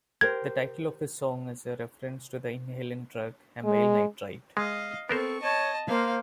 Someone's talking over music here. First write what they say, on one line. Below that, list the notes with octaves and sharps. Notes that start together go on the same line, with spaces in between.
The title of the song is a reference to the inhalant drug amyl nitrite.
G4 A#4 C5 G#6
G#3
G#3 D#5 F5
B3 C4 A4 A#4 C5 C#6
C#5 D#5 A5
A#3 C5 F5